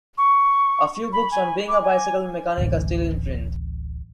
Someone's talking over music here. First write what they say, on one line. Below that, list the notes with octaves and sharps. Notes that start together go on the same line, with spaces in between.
A few books on being a bicycle mechanic are still in print.
C#6
B5
G#5
D6
G#5
D1 A1